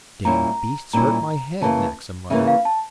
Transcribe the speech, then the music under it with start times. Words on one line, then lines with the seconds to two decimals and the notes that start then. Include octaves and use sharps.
"Dam' beasts hurt m'head," Naxa muttered.
0.25 A#2 G3 C#4 E4 A#5
0.93 A#2 G3 C#4 E4 A#5
1.61 C#3 E3 A#3 A5
2.30 C#3 E3 A#3 E5
2.47 F5
2.65 A5